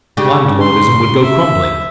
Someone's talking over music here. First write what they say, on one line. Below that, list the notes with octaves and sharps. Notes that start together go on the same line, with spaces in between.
Landlordism would go crumbling.
C#3 D4 G4
C6
E5